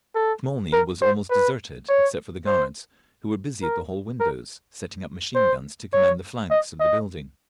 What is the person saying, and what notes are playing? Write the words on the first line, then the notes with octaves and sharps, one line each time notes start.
Smolny was almost deserted, except for the guards, who were busy at the hall windows, setting up machine-guns to command the flanks of the building.
A4
A#4
C5
B4
C#5
C5
A#4
A#4
C5
C#5
D#5
D#5